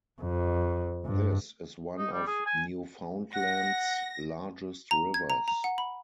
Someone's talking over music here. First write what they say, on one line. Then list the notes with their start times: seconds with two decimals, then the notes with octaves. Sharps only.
This is one of Newfoundland's largest rivers.
0.21 F2
1.05 G2
1.98 D#4
2.11 G3
2.27 G#4
2.46 G#5
3.34 F#5 A#6
4.91 A#5
5.14 G#6
5.30 A#5
5.48 A#5
5.64 F#5
5.78 B5